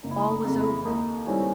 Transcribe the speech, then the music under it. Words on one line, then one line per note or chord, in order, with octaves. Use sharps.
All was over.
F#1 D#4
E4
D#4
D#4
F2 C#3
E4
D#2 D#4
D#3 G3 C4 C#4 E4